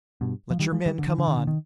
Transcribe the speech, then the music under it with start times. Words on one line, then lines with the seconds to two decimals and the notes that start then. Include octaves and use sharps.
Let your men come on.
0.21 G2 B2
0.50 F3
0.60 D#3 G3
0.72 F3 G#3
0.86 D#3 G3
0.99 D3
1.08 D#3
1.18 D3
1.28 D#3
1.37 D3
1.47 D#3